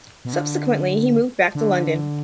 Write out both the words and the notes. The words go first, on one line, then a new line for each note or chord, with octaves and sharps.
Subsequently, he moved back to London.
B2
D3
D3